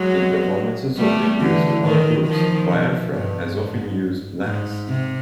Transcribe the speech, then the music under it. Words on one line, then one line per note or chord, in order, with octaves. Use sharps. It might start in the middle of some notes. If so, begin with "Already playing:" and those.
In performances over the years with other groups, Biafra has often used "blacks".
Already playing: F#3 G#3
G3 A3
D3 E3
D#3
D#3 F3
B2
G2
G#2
G#2
C3